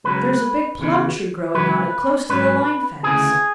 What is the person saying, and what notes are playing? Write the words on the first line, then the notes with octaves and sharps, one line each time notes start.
There's a big plum tree growing on it close to the line fence.
C#2 C#3 F#3 B4
E2 C#3 E3
C#2 B2 F#3 B4
G#2 F#3 B4
D2 C#3 E3 G#4